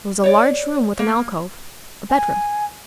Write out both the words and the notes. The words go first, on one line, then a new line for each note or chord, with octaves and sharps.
It was a large room with an alcove--a bedroom.
C#5 D5
A#3
G#5